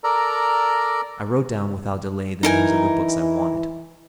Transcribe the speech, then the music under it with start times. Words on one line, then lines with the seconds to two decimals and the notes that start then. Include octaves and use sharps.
I wrote down without delay the names of the books I wanted.
0.04 A4 A#4 D5 A#5
2.43 E3 D#4 A#4 G#5